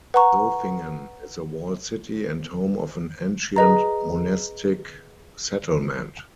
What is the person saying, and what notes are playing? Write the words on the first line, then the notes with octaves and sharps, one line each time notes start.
Zofingen is a walled city and home of an ancient monastic settlement.
B4 F#5 A#5 C#6
G#4 B4 D#5 A#5